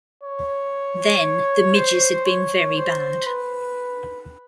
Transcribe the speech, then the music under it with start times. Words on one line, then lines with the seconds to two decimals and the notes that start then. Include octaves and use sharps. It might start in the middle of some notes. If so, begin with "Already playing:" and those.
Then the midges had been very bad.
0.23 C#5
1.75 C5
2.25 C#5
2.76 C5
3.26 B4